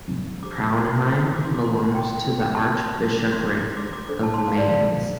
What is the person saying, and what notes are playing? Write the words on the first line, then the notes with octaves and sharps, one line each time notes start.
Praunheim belonged to the Archbishopric of Mainz.
D4 G4 C5 D6
F4 C5
D6
C6
D6
F4 C5 C6
C6
G5
F4 A4 C5
G5
A5
C6
F4 C5
D6
C6
D4 G4 C5 D6
C6
D6
D6
D4 A4 C5 D6
A5
C6
A5
F5
D5
F4 A4 C5 F5
F5